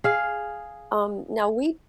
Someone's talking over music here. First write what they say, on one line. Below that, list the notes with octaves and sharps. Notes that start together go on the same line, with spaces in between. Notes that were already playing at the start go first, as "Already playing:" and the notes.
um, now we t
G#4 F5